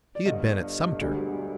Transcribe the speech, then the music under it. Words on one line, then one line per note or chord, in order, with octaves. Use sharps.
He had been at Sumter.
D5
G1 G2 D3 D#5
E1 D2 D3 G3